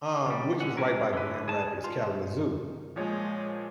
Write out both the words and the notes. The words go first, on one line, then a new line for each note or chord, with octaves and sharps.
um, which is right by Grand Rapids, Kalamazoo.
C#3 G3
D3 C#4 F#5
C2 G#3 C#4 A#4 B4
D3 B4
G#4 A5
F4
A#2 F3 G#3 C#5